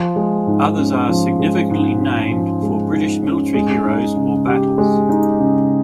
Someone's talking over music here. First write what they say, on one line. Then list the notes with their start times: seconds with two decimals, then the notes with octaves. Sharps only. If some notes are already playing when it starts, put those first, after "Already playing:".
Others are significantly named for British military heroes or battles.
Already playing: F3
0.16 G#3
0.47 G#2
0.78 C#4
1.09 F3
1.39 G#3
1.71 G#2
2.01 C#4
2.31 F3
2.63 G#3
2.93 G#2
3.23 C#4
3.54 G#3
3.85 D#4
4.16 C#3
4.47 G4
4.78 G#3
5.09 D#4
5.40 C#3